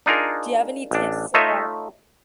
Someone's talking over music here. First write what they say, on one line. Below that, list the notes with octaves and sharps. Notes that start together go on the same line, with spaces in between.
do you have any tips about
D4 D#4 F4 G#4 A#4
A1 D4
A3 D#4 F4 C#5 D#5 E5